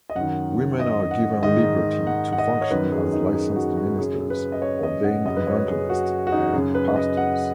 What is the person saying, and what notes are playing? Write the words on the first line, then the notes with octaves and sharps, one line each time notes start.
Women are given liberty to function as Licensed Ministers, Ordained Evangelist, and Pastors.
D#5
F#2 D#3 F#5
D#5
F#5
G#2 D#3 D#5
F#5
F#5
D#5
C#5
F#2 D#3 B4
G#4
D#4
G#4
F#4
F#4
F#2 C#3 G#4
B4
D#5
C#5
D#5
F#5
F#2 C#3 D#5
B4
C#5
B4
G#4
F#4
F#4
D#4
F#2 C#3 G#4
B4
D#5
F#5